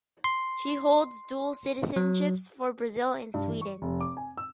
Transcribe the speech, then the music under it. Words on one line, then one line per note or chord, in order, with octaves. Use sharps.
She holds dual citizenships for Brazil and Sweden.
C6
F#3
G2
E3
C#6
F1
D6
G#5
E6